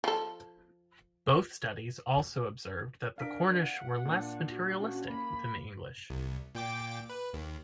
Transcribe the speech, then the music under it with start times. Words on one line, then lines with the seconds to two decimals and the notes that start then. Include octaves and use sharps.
Both studies also observed that the Cornish were less materialistic than the English.
0.04 F3 A4
3.18 D4 A#4 F5 B6 D7
3.59 F#5
4.05 A#2 D4
4.49 F#4
4.80 C#4 F#4
5.10 A#3 B5
6.10 C2
6.55 A#2 G5 D6
7.10 B4
7.33 D#2